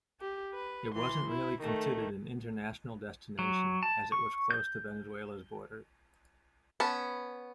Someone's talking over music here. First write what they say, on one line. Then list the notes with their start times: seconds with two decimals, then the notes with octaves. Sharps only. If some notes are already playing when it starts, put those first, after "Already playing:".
It wasn't really considered an international destination as it was close to Venezuela's border.
0.21 G4
0.55 B4
0.95 E3 C6
1.27 E4
1.62 D#3 A3
3.39 F#3
3.83 A5
4.12 C#6
4.51 G6
6.80 B3 C#4 A5